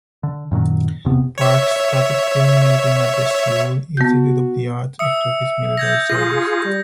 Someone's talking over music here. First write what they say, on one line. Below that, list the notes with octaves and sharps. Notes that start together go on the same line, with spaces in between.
Park studied filmmaking at the Seoul Institute of the Arts after his military service.
D3
F#2 A#2 D#3 F#3
E1 C3 B3
C#5 E5
B3 F#4 G6
E5 D#6 C#7
G6 G#6 A#6
F4 G#4 A#6
G3